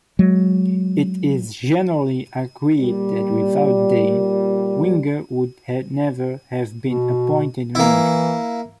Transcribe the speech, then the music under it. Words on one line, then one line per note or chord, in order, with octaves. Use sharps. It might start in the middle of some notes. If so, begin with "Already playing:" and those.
It is generally agreed that without Dein, Wenger would never have been appointed manager.
F#3 G#3
A#2 G3
B2
E3 A#3 E4